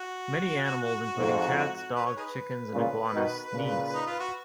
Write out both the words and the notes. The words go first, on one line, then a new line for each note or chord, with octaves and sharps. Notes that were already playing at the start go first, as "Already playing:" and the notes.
Many animals including cats, dogs, chickens and iguanas sneeze.
Already playing: F#4
F2 G#2
B4
C#5
D#4 G#4 B4
A#2 C#3
B2 D#3
A#2 C#3
D#4
F4
F#4